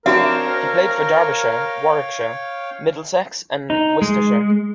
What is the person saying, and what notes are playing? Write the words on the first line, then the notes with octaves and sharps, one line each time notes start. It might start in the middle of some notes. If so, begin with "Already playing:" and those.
He played for Derbyshire, Warwickshire, Middlesex and Worcestershire.
C4 D4 F#4 A#4 C#5 E5 F5 G5
D#4
G#3